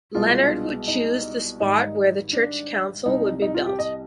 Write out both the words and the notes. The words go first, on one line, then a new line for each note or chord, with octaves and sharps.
Leonard would choose the spot where the church council would be built.
C2 B2 G#3 F4
D#4
G#1 G#2 G3 D#4
D4
C2 C3 G3 D#4
D#4
F4
G4
D#5